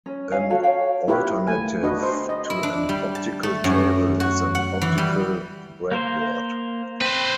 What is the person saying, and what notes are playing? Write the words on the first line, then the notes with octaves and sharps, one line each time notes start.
An alternative to an optical table is an optical breadboard.
C#4
C#4 F5 G#5
F#4 A4 C#5 F5
C#5 F5 G5
E4 F4 G4 A#4 B4 C#5
A3 G#5
D4 F#4 B4 D#5
C5
D#5
E4
D4
G3
A5
A3
F#2
F#4
F#5
E3
G3
A#3 A#4 C5
C4 B4 C5